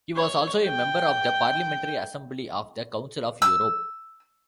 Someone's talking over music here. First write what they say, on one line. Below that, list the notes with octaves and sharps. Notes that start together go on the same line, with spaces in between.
He was also a member of the Parliamentary Assembly of the Council of Europe.
C#5
G5
E6